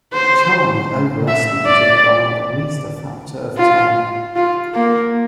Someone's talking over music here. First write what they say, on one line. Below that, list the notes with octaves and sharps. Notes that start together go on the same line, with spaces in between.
Charlie overestimated by at least a factor of ten.
C5
E5
D5
F4
F4
A#3